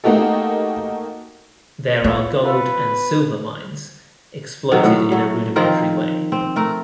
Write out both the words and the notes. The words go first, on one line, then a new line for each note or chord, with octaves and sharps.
There are gold and silver mines, exploited in a rudimentary way.
A3 A#3 D#4 F#4 G4 A4
B3 F4 A4 C#5
F4 A4 B4
D#3 F#3 A4
A2 F#4
F#3 A3
D#3 F3 C4 A#4
C4
A3 A#4